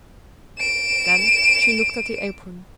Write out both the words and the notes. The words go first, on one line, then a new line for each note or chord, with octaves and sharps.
Then she looked at the apron.
D7 E7